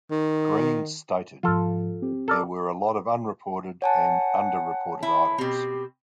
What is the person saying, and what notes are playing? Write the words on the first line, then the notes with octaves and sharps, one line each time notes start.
Greene stated, There were a lot of unreported and underreported items.
D#3
G#2 F3 F4 A4
C4 G4
A4 A#4 D5
C#5 F#5 G#5 A5
E4
B2 C4 G4